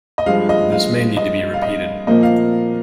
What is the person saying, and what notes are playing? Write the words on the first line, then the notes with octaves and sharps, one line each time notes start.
This may need to be repeated.
D#5
G2 F3 G#3 F5
D#5
F5
D#5
F5
D#5
A#2 F3 A#3 D#5
F5